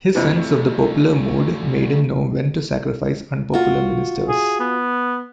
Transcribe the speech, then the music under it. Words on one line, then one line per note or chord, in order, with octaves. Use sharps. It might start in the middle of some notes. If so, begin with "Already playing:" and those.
His sense of the popular mood made him know when to sacrifice unpopular ministers.
F2 C3 E3 F#3 A3
F4 F#4
G#4
B3